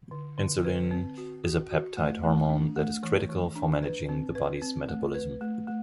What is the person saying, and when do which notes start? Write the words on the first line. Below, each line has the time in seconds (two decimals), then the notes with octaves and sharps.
Insulin is a peptide hormone that is critical for managing the body's metabolism.
0.11 D3
0.38 D3
0.65 B4
0.91 C4
1.18 F#4
1.44 F#4
1.71 F#4
1.97 A3
2.23 A3
2.50 D4
2.76 A3
3.03 E3
3.29 E3
3.56 D4
3.83 B4
4.09 C4
4.35 B4
4.62 C4
4.89 A3
5.14 B4
5.41 A3
5.67 A3